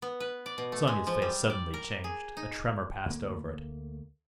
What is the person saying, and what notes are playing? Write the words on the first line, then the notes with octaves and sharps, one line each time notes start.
Sonia's face suddenly changed; a tremor passed over it.
B3
B4
D5
B2
A3
G#3
F3
G3
D5
A#4
G#4
D#4
D2 A3 A#3